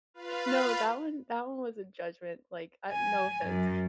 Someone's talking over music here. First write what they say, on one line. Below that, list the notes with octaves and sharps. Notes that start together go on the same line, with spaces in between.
No, that one that one was a judgment. Like, uh, no offense.
F4 B4 F5
G#5
F#2